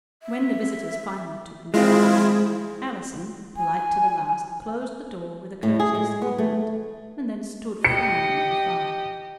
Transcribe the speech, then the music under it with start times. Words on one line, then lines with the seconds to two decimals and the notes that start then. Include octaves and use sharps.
When the visitors finally took themselves away, Allison, polite to the last, closed the door with a courteous "Good-night," and then stood frowning at the fire.
0.23 E5
1.74 G#3 C4 E4 F4 G#4
3.57 G#5
5.63 A2
5.79 G#4
5.95 G#3
6.22 B3
6.38 A3
7.84 G4 D#5 C#7